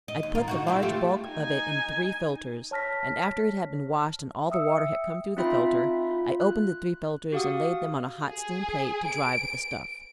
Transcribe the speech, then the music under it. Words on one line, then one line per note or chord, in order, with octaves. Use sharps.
I put the large bulk of it in three filters, and after it had been washed and all the water had come through the filter, I opened the three filters and laid them on a hot steam plate to dry with the stuff.
D#5
D#2
F4 A#4
D#4 E4 F#4
C4 E4 F4
A3 F4 G4
D#4 G#5
C#5 A5 F6 A#6 B6
E5 G5 D#6 E6 C#7
C4 D#4 F4 E5 G5 B5
F4
F#6
F#4 G4 F5 F#5 D#6
G#4
D7